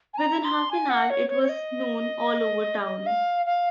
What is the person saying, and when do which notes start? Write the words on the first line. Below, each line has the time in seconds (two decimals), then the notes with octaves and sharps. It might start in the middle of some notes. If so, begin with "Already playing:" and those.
Within half an hour it was known all over town.
0.14 G#5
0.18 A#5
0.44 C6
0.71 G#5
0.90 F#5
1.10 C#5
1.29 C#5
1.43 C#5
1.49 D#5
3.06 F5
3.46 F5